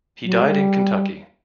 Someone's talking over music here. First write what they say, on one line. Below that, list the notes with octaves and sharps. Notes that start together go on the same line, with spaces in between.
He died in Kentucky.
F#3
G#3
G3